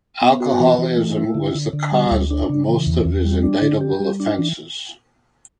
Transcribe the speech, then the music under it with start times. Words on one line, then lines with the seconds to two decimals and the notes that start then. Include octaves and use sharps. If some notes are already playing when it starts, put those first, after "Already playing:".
Alcoholism was the cause of most of his indictable offences.
0.22 B3
0.40 F#4
0.60 E3
0.78 E3
0.97 A3
1.17 E4
1.35 D3
1.55 D3
1.73 D3
1.92 G3
2.11 D2
2.30 D4
2.49 C#3
2.68 E3
2.86 E2
3.05 E2
3.25 G3
3.43 D4
3.62 D3
3.81 G4
4.00 G3
4.20 D4
4.39 E3